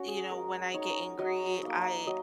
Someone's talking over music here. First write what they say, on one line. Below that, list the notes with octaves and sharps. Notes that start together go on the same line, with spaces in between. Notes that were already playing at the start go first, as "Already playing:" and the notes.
you know, when I get angry, I
Already playing: C#4 F#4
G#4
G#3 A#4
D#4 C#5
F#3 D#5
A#3 D#4
F#3 D#5